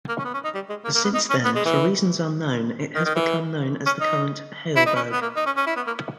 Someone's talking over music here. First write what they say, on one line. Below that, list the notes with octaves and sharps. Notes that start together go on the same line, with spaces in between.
Since then, for reasons unknown, it has become known as the current "Haleburg".
A#3
C#4
B3
C#4
D#4
G3
G#3
A#3
A#3
B3
D#4
C#4
B3
G#3
E3
D#3
D#3
E3
C#4
D#4
E4
D#4
C#4
B3
A#3
D#4
C#4
C#4
E4
B3
A#3